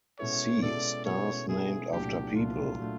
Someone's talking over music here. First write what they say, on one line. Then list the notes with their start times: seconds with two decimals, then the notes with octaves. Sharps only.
See stars named after people.
0.19 B2 G#3 C#4 E4 A4 C#5
0.62 B2 G#3 C#4 E4 A4 D5
1.05 B2 G#3 C#4 E4 A4 C#5
1.49 B2 G#3 C#4 E4 G#4 A4
1.92 C2 A#2 F#3 A3 D4 G4
2.35 C2 A#2 F#3 A3 D4 F4
2.79 A#2 F#3 A3 D4